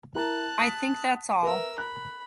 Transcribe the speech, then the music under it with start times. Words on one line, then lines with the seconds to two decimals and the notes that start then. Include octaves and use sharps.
I think that’s all.
0.15 E4 A#4 A5 A#5 F#6
0.59 D#6 B6
1.43 A#4 B4 E5 E6
1.78 B5 F#6